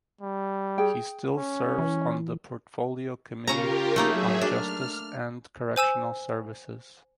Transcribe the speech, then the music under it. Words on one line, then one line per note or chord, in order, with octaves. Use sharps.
He still serves on the Portfolio Committee on Justice and Correctional Services.
G3
G#4 G5
C#4
E3
C#3 C#4 F4 G4 A#4 A#5
F#3 A3 A#3 D#4 G#4 E5
D4 F6
C5 G#5 E6 E7